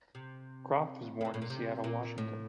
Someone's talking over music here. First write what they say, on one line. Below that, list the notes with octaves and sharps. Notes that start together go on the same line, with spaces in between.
Croft was born in Seattle, Washington.
C3
A2
A#2
A2
A#2
C3
A#2
A2